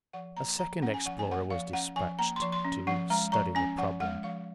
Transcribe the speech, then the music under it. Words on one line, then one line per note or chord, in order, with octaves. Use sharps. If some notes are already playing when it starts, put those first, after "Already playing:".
A second explorer was dispatched to study the problem.
F3 F#5
A#3 A#5
F3 A#5
C#4 F#5
G#5
F3 F#5
G#5
A#3 F#5
F3 F5
C#4 F#5
F3 G#5
A#3 A#5
C6
F3
C6
C#4
F3 F#5
G#3 A#5
F3 A#5
C#4 G#5
F3 F#5
G#3 F#5
F3 F5